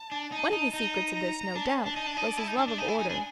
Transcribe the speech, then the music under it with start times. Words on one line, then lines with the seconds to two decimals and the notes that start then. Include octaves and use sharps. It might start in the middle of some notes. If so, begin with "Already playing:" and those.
One of the secrets of this, no doubt, was his love of order.
Already playing: A5
0.12 D4
0.32 D#4 A5
0.53 D#4
0.73 D#4 A#5
1.14 A#5
1.55 D4 A5
1.66 C#4
1.86 D4
1.96 D#4
2.07 D4
2.17 D#4
2.27 D4
2.37 E4
2.48 D#4
2.58 D4
2.68 D4
2.78 D#4 G#5
2.88 E4
2.99 D#4
3.09 D4